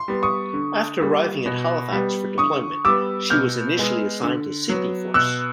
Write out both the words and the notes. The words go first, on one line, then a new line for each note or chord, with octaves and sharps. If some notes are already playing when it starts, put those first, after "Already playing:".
After arriving at Halifax for deployment, she was initially assigned to Sydney Force.
Already playing: C6
G3 B3
C#6 D#6
D3
G3 A#3
B2
G3 B3
D3 C#6 D#6
G3 B3 D6 E6
B2 F6 G6
G#3 B3
D3
F#3 B3
B2 E6 F#6